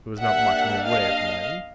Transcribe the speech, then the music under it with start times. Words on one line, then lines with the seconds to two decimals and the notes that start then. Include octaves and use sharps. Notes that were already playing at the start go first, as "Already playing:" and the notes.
He was not marching away from the enemy.
0.20 A#3 D4 G4 E5 F#5
0.86 D#5 F5